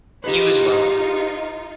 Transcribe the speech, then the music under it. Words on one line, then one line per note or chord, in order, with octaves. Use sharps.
You as well.
D#4 F4 G4 G#4 B4